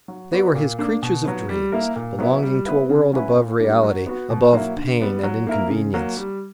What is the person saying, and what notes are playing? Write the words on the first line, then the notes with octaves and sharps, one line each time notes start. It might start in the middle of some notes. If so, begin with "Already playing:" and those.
They were his creatures of dreams, belonging to a world above reality, above pain and inconvenience.
F#3
B3 F#4 B4 D5
A#2
A#3 D4
B2
F#3 B3
G3
A#3 E4 A#4
A#2
F#3 B3 E4
G3
B3 E4 B4
C#3
F#3 C#4 E4 B4
A#2
G3 A#3 D4
F#3
B3 F#4
B2
F#3 A#3 E4
D3
G3 B3
F#3
A#3 E4 A#4
C#3
F#3 A#3
G3